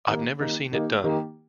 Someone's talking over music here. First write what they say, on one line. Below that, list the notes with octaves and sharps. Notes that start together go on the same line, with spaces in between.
I've never seen it done.
D#3 A#3 D#4 G4
D#3 A#3 D#4 G4
D#3 A#3 D#4 G4
D#3 A#3 D#4 G4